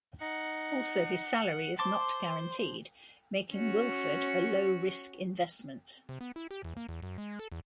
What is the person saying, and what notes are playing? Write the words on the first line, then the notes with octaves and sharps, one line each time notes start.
Also his salary is not guaranteed, making Wilford a low-risk investment.
D#4 F#5
C5 A5 C6 D6
C#4 F#4
C3
B3
E4
G4
E2
A#3
E2
F#2
G#3
A4
E2